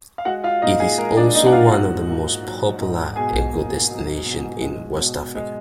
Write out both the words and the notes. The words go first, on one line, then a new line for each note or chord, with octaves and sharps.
It is also one of the most popular eco-destinations in West Africa.
F5
G#3 F#4 F#5
F4 F5
A#2 D#4 D#5
G#4
G#3 A#4
D4 D5
A#2 D#4 D#5
F#5
F4 F5
G#2 F#4 F#5
A#3
F#3
G#2
B2 G#4 G#5
A#3
F#3
B2
G#3
B2
G#3